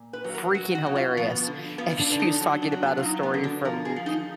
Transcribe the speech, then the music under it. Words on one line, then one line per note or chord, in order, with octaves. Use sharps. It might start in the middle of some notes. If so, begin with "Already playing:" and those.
f freaking hilarious and she's talking about a story from
Already playing: A#2
B4
F#3
A#4
F#3 F#4
F#4
B2
F4
F3 B3
D3
F3 B3
D4
D3 D4
D#4
F#3
D4
F#3
B3
F4
F#3 D#4
B3
D3
D4
F3 A#4
G#4
F3
D#4